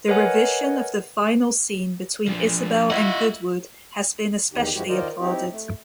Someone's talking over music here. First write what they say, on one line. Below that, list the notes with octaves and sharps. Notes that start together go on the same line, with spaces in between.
The revision of the final scene between Isabel and Goodwood has been especially applauded.
A#4 B4 C#5 D#5 F#5 G#5
F3 D4
E4 F4 D#5 F#5
E2 D#3 D#4 G4
G2 F3 G#3 E4 F#4 G4
D#3 F4 A#4 C5 D5 D#5
C4 D#4 E4 G4
A3